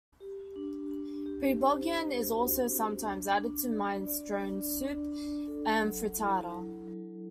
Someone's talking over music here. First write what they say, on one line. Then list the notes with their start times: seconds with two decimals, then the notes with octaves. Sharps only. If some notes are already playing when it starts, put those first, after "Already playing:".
"Preboggion" is also sometimes added to minestrone soup and frittata.
0.20 G4
0.56 D4
0.91 D4
1.26 G4
1.61 C5
1.95 C5
2.31 F#4
2.66 C4
3.01 D4
3.36 D4
3.72 D5
4.07 D5
4.42 D4
4.77 D4
5.12 D4
5.48 A4
5.82 F#3
6.17 E4
6.53 F#3
6.88 F#3